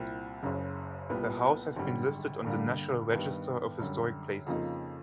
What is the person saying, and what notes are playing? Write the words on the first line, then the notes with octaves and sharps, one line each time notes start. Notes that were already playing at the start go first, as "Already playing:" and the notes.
The house has been listed on the National Register of Historic Places.
Already playing: C2 A#2 G3 C4 E4
F#1 F#2 C#3
C2 A#2 G3 B3
G#1 F#2 D3 G3
G2 D3 G3 A#3
G2 D#3 G3 B3
F#2 D3 G3
F2 C#3 F3 A#3 D#4